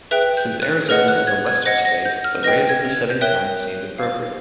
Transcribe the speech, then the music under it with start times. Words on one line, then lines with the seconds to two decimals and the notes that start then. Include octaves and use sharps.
Since Arizona is a western state, the rays of the setting sun seemed appropriate.
0.11 G#4 B4 E5 G5 F#6
0.37 G6
0.62 F#6
0.89 G#4 B4 D#5 F#5 F6
1.08 F#6
1.27 G#6
1.46 G#6
1.65 C5 D#5 F#5 A#6
1.85 A#6
2.05 G6
2.24 F6
2.43 B4 D#5 G5 A#6
2.69 G#6
3.10 G6
3.21 A#4 C#5 E5 G5 F#6
3.98 C5 F5